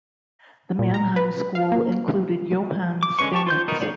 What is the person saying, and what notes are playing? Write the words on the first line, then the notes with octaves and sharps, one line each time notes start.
The Mannheim school included Johann Stamitz.
A#2
A#5
B4
F5
A#3
D6
D3 G#3 C#4 B4 C#6
G4 G5 A5 C#6
F4 C5 G6
B3 D#4 F#4 A#4
G#4 C#5 D5